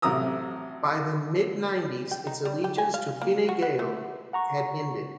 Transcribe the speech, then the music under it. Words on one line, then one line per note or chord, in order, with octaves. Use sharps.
By the mid-nineties its allegiance to Fine Gael had ended.
A1 C3 F#3 A#5 D#6 E6
G5
D#4
G3
G4
G#5
F5
A#3
F#4
F#5
A3
F#5 A#5 C#6